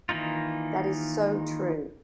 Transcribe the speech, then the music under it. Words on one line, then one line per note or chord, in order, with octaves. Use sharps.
That is so true.
D#3 E3 A#3 D#4 F4